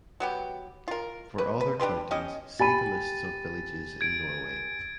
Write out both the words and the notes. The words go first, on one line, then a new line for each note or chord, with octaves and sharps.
For other counties see the lists of villages in Norway.
F#3 B3 G4
F4 A#4
B4
B4
D4 G4 B4 C6
C#4 G4 D#5
G4 G#5 B5 A6 D#7
G#6 D7